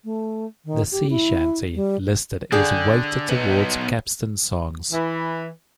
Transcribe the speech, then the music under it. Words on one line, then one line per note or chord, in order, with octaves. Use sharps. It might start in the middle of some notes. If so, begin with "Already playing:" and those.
The Sea Chanty list is weighted towards capstan songs.
A3
D#3
G4
E4
G3
D3 D4 G#4 D5 G5
B3 D#4
E3